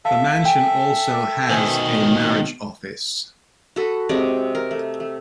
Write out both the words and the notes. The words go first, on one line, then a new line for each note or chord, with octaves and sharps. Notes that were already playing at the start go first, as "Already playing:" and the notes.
The mansion also has a marriage office.
A4 E5 F5 A5
G5 G#5
B2 D#3 C5 G#5 E6
F#4 A4 B4
C3 G#3 D5 D#5
A#4
A3
A3